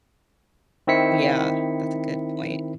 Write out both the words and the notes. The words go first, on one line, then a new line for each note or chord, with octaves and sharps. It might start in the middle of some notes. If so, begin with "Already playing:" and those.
Yeah, that's a good point.
D#3 C4 E4 B6 C#7